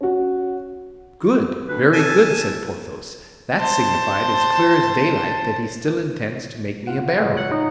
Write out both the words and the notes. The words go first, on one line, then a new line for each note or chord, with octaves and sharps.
"Good, very good," said Porthos; "that signified as clear as daylight that he still intends to make me a baron."
C#4 F#4
D2 B4
C3 A4 G#5 A5
C5 A5
F4 F#5
F#1 A2 G#3 C#5
F#5
D#4